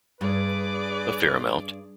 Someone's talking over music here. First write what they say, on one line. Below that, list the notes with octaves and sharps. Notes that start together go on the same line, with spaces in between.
A fair amount.
G2 G#4 B4 D5